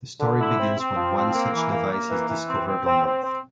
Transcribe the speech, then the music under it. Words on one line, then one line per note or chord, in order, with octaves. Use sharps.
The story begins when one such device is discovered on Earth.
D3
E4
C4
C4
F3
C4
A#3
E3
A#3
A#3
E3
E3
C4
C4
C4
C4
C4